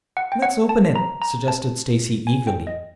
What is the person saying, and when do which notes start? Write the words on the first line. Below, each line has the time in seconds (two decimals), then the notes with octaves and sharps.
"Let's open it," suggested Stacy eagerly.
0.17 F#5
0.32 G5
0.42 F#5
0.69 A5
0.96 A#5
1.22 A#5
1.48 A5
2.27 G#5
2.47 G5
2.67 D#5